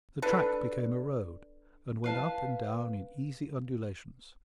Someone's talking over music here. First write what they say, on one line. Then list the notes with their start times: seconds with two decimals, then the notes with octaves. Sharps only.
The track became a road, and went up and down in easy undulations.
0.22 D4 A4 B4
2.04 B4 F5 A5